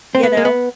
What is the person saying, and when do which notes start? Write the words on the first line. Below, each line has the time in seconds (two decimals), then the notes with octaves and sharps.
you know?
0.15 C4
0.23 B3
0.37 A#3
0.45 B3